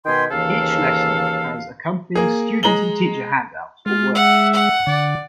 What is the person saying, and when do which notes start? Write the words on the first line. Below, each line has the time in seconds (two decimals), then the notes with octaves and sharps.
Each lesson has accompanying student and teacher handouts or worksheets.
0.05 B2 D#3 B4 G5 G#5 C6
0.30 D#2 C#3 E3 A4 F5
2.15 A#3 G#4
2.63 G#3 A#5 F#7 G7
3.86 G#3 F4
4.15 E5 F#5
4.53 F#5
4.87 D3 D5